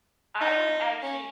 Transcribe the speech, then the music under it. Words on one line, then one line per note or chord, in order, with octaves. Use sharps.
I would actually
D#4
C#4